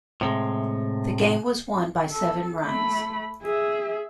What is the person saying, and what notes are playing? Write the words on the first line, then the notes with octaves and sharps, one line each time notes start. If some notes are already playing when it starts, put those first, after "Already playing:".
The game was won by seven runs.
A2 C3 G#3
A4
A3 B5
G#4 E5